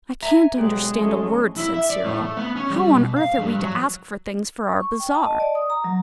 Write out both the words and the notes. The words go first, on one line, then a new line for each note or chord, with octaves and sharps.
'I can't understand a word,' said Cyril. 'How on earth are we to ask for things for our bazaar?'
E5 G#5 A#5
B1 G#3 G4 D5 F#5
G#2 F3 A3 C#4
E4
E5
D5
A2
A3
B3
C#4
G3
B2
F5
G2
F#3
C#6
G5
A5
D#5
D5
D#6
A#5
F#3